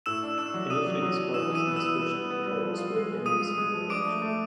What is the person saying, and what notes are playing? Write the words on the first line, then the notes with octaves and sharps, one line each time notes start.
Initially despite this indiscretion, the club was spared any disciplinary action.
A2 E6 E7
D4
D4 E6 E7
F#3
D4 D#6 D#7
F#3
F#3
D4
E3 E6 E7
E3
D#6 D#7
B3
E6 E7
E3
G3
B3
B3
G3
F3
F4
G#3
G#3
F4 D#6 D#7
F4
G#3
F3
D4 D6 D7
A3
A3